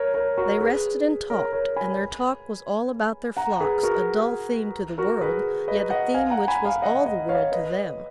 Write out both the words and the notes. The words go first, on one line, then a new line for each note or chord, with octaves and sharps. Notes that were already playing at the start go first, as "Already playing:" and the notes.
They rested and talked, and their talk was all about their flocks, a dull theme to the world, yet a theme which was all the world to them.
Already playing: A#4 C#5
A#4 C#5
F#4 A#4
G#4 B4
A#4 C#5
A#4 C#5
G#5 B5
F#5 A#5
G#4 B4
F#4 A#4
F#4 A#4
G#4 B4
B4 D#5
D#5 F#5
F5 G#5
F#5 A#5
G#5 B5
F5 G#5
D#5 F#5
D#5 F#5
C#5 F5
B4 D#5